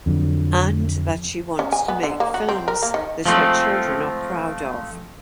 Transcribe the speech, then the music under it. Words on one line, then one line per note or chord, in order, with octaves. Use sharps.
And that she wants to make films that her children are proud of.
F2 D3 F#3
C#4
G#5
B3
D3
A#3
F#4
C4
A#4
A#3
D#3
F3 G#3 A3 C4